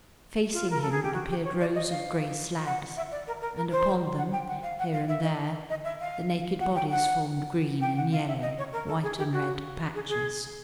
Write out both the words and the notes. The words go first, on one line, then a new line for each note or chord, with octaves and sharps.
Facing him appeared rows of grey slabs, and upon them, here and there, the naked bodies formed green and yellow, white and red patches.
F4
A#4
A4
G#4
G4
F#4
G4
C#5
D5
D#5
F5
F#5
E5
D5
A#4
A#4
A#4
C5
F#5
G5
F#5
F5
F#5
F5
E5
D#5
D#5
E5
F5
F#5
G5
F#5
G5
F#5
F5
E5
D#5
C#5
A#4
A4
G#4
G4
F#4
G#4
G#4